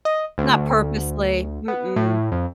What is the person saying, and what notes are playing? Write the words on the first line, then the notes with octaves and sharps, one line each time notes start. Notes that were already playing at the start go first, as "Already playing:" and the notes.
Not purposely. Mm-mm.
D#5
D2
B3
A2
F2